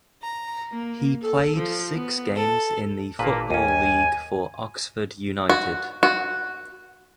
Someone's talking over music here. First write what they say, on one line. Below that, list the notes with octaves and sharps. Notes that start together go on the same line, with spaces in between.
He played six games in the Football League for Oxford United.
A#5
A#3
A4
F3
B3
A4
G#1 A#2 A#3 B4 A5
D#2 C#4 G#5 D#7
F#4
F#4